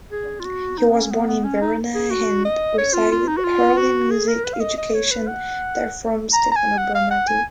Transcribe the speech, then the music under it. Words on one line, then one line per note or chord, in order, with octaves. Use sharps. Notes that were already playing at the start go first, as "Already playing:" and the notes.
He was born in Verona and received early music education there from Stefano Bernardi.
G#4
F4
F#4
D#4
B3
C#4
B3
B3
C#4
D#4
G#4
F#4
D#5
C#5
F4
F4
D#4
F#4
F4
F#4
G#4
A#4
B4
F5
D#5
D#5
C#5
B4
F#5
A#5
A#5
G#5
F#5
F5
F#5
G#5